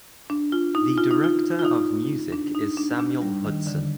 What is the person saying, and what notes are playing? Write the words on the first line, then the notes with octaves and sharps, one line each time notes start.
The Director of Music is Samuel Hudson.
D4
F4
D#4
F4
D#4
F4
F4
D#4
D4
D#4
D4
D4
G3
D#3
D3